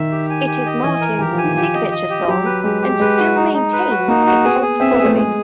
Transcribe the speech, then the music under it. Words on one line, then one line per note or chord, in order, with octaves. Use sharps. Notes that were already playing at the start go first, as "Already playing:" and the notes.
It is Martin's signature song and still maintains a cult following.
Already playing: D#3 E5
G4
G#5
G4
D#5
E3 G#5
A#4
E3 G4
F3
G#5
D#3
F3 G4
D#5
D#5
G4
F#3 G4
B4
G#3 G4
G4
G#3 B4
F#4
D#4
D#4
B4
F#4
A#3 D#4
F#4
B3 G#4
G#4
C4 E5
B3
A3 G#4
G#3 G#4